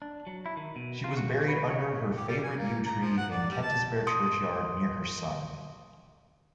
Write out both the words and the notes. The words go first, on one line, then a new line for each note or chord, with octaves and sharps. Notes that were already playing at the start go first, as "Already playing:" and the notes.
She was buried under her favourite yew tree in Kentisbeare churchyard, near her son.
D4
F#3
E4
D#3
B2
F4
F#4
B4
C#5
G4
G3
G#5
A#3
A#5
F3
F#5
D5
G3
A5
C6 D#6